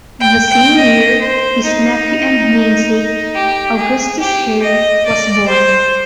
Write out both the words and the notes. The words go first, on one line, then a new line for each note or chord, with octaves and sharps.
The same year, his nephew and namesake, Augustus Hare, was born.
G5
G5
D#5
C5
D#4
G4
G#4
G4
D#5
D5
C5